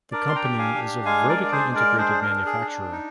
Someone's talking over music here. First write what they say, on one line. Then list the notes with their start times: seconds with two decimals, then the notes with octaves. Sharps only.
The company is a vertically integrated manufacturer.
0.12 D4 A#4 D5
0.29 C6
0.36 G5 A#5
0.44 G4
0.59 F5 G#5
0.75 D4
1.05 G#3 F5 G#5
1.29 A#4 D5
1.36 D4
1.45 D5
1.52 G#4 C5
1.68 G#3
1.75 A#4 D5
1.98 D4 G#4 C5
2.22 A#4
2.30 D4
2.46 G#4
2.61 D4
2.92 D#4